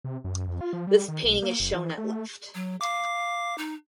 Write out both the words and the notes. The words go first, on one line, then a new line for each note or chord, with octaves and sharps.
This painting is shown at left.
C3
F#2
F2
F4
F3
G3
D#3
B1
A#3
F#1
E3
A3
F#3
F5 D6
D#4